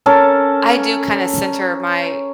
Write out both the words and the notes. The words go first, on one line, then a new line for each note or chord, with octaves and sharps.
I do kinda center my
C#4 A4 A#4 A5